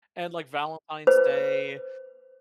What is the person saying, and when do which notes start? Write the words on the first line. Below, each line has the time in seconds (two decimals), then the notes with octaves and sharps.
and, like, Valentine's Day
1.07 B4 C5